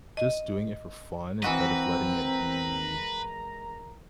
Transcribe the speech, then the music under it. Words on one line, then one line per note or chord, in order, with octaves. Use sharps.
just doing it for fun instead of letting it be,
D#5
E3 G#3 C4 F#4 A#4 B4 D#5 A#5